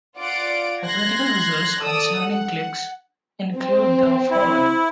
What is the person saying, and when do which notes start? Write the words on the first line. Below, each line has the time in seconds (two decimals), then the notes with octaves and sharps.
Mathematical results concerning cliques include the following.
0.17 F4 D5 F#5 D7
0.85 C6 F#6 G#6 A#6
1.82 A4 D5 D#6 E6
2.20 F#5
3.56 C4
4.31 E4